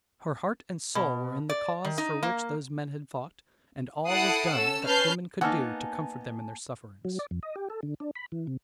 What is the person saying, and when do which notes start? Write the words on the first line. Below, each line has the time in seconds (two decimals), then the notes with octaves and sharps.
Her heart and soul were in the cause for which those men had fought, and all was done that Woman could do to comfort them in their sufferings.
0.95 B2
1.49 D5
1.85 D#3
1.98 D#4
2.23 A#3
4.08 E4 A4 F#5 D#6 C7 D7
4.53 C#4 A4 E6
4.84 C#4 B4 A5 F6 G6 C7
5.41 A#3 B3 D#4 F#5 G#5 A5 E6 F6
7.05 F#3
7.19 D5
7.31 F2
7.43 D#5
7.56 G4
7.70 A4
7.83 D3
8.00 D4
8.15 B5
8.32 E3
8.47 C3